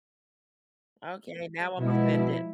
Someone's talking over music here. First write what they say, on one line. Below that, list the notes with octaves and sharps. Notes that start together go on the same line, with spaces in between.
Okay, now I'm offended.
B2 F3 G#3 E4